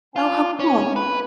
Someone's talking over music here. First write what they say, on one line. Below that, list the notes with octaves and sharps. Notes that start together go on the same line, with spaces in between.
Oh, how cool.
F4
C#4
B4